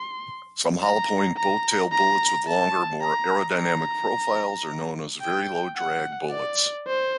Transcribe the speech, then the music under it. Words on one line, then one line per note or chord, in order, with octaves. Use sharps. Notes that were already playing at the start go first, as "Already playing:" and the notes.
Some hollow-point boat-tail bullets with longer, more aerodynamic profiles are known as very-low-drag bullets.
Already playing: C6
A#5
A#5
A#5
A5
A#5
A#5
G5
F#5
D5
C5